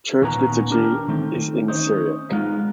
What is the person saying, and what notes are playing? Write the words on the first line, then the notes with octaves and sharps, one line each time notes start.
Church liturgy is in Syriac.
D#2 A#2 B3 C#4 B4 A#5
D4 G4 A#4
D#3 A3 C4
C#4 D#4 C5
G#3 B3 D#4 F4